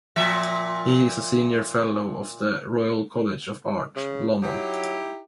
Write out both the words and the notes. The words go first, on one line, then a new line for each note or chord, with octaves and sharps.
He is a Senior Fellow of the Royal College of Art, London.
A#2 F3 E5
C#3
F#3 D#4 E4 G4